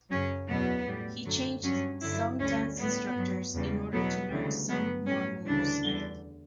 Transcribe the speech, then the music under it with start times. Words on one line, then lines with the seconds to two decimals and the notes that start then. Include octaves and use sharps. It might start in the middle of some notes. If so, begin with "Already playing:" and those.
He changed some dance instructors in order to learn some more moves.
0.10 F#2 C#3 F#3 C#4
0.48 E2 B2 F#3 B3
0.86 A2 G3
1.25 F#2 D3 F#3
1.63 G2 F#3 C#4
2.01 G2 D3 F#3 E4
2.39 D2 D3 G3 C#4
2.78 A2 G3 B3
3.16 G2 F#3
3.54 E2 C#3 G3
3.92 E2 B2 F#3 B3
4.30 D2 C#3 E3 G3
4.68 G2 F#3 B3
5.07 A2 F#3 C#4
5.45 D2 C#3 E3 G3 D4
5.83 E2 D3 G3